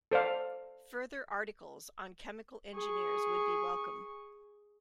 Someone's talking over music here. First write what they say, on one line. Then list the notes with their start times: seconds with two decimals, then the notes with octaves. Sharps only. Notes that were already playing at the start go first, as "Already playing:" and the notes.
Further articles on chemical engineers would be welcome.
0.12 A4 C5 D5 F5
2.74 G#4 C#6